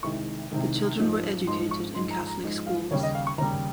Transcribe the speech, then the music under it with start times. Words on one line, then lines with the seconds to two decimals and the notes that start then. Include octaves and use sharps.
The children were educated in Catholic schools.
0.03 C2 C3 D#3 G#3 C#6
0.51 C2 C3 D#3 G#3
0.99 G#2 F3 G#3
1.47 G#2 F3 G#3 C6
1.71 C#6
1.95 G#2 F3 G#3 C6
2.11 A#5
2.27 A#5
2.43 G#2 F3 G#3
2.67 F5
2.91 D#2 C#3 G3 C#5
3.03 D#5
3.15 F5
3.27 C#6
3.38 D#2 C#3 G3 A#5